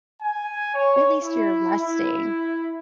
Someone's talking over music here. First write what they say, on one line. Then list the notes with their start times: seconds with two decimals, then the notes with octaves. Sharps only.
At least you're resting.
0.22 G#5
0.75 C#5
1.23 E4
1.79 E4